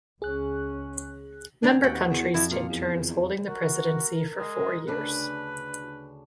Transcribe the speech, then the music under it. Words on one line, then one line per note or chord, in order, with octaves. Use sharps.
Member countries take turns holding the presidency for four years.
C#2 C#4 G#4 F#6
D4 G#5 A#5
D#2 F#4 F#5 G5
E2
F2 E4
A#2 F5
E2
F#4 A#4
G#3
D2 C#3 D4 B4